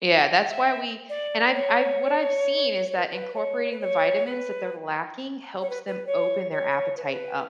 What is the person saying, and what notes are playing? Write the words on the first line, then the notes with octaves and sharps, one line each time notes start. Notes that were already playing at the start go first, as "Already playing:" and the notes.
yeah, that's why we and I've I've what I've seen is that incorporating the vitamins that they're lacking helps them open their appetite up.
G5
E5
D5
C#5
C#5
B4
B4
C#5
B4
C#5
B4
C#5
B4
B4
C#5
C#5
B4
C#5
B4